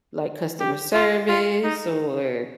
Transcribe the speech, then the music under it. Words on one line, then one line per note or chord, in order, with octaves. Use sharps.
like customer service or,
G4
F4
F4
D#4